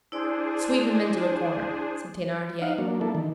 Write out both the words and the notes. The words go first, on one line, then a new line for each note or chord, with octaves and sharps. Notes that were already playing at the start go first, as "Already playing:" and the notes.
"Sweep him into a corner," said Thenardier.
D4 E4 G#4 C5 D5
D#4 F5 F#5
F#3 A#3 D4
A#3 D4 E4 A4
D#3 E3